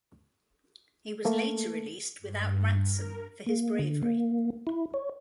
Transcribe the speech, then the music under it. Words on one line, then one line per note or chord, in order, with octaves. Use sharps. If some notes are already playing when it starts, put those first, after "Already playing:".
He was later released without ransom for his bravery.
A3 A#3 A4
G2
A#4
A#3
D3
A#3
E4
C#5